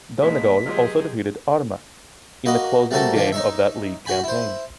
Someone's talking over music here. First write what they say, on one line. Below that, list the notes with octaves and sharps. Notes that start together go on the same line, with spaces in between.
Donegal also defeated Armagh in the closing game of that league campaign.
B1 C#3 G#3 A#3 B6
C3 F#3 G#3 F4 G4 G#4
A#3 F#4 B4 D#5
G3 A3 C4 F#4 A4 A#4
D3 D#3 F3 A#3 C4
D#4 C#5 E5
F#4 G5 G#5 B5
E4 C5